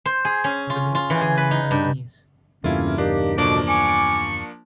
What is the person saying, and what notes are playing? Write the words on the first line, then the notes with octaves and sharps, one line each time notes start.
The Group had nine companies.
C5
G#4
C#4
F4
F4
E3
G#4
B4
D#4
G2
E2 G2 C#3 A3 A#3 C#4 E4 F4
A#3 D4 D#4 G4
D2 B2 F3 A#3 D4 D6
G#5 C#6 D6